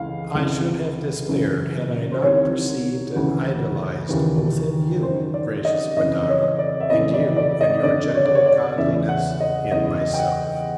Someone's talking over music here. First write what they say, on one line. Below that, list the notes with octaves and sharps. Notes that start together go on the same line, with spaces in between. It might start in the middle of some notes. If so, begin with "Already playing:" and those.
I should have despaired, had I not perceived and idolized both in you, gracious Madonna, and you and your gentle godliness in myself.
Already playing: C#2 C#3 E3 F5
C#2 C3 E3
F#2 C#3 E3
C5
C2 C3 D#3 C#5
D2 C#3 E3
D#2 C#3 E3
F#2 D#3 C5
D5
D#5
F2 C#3 E3 D#5
C#5
D5
E5
F2 C#3 E3 D#5
D5
D5
D#5
F2 D3 D5
C#5
D5
C#5
D5
E2 C#3 E3 E5
F#5
D#5
E2 C#3 E3 D#5
G5
F#5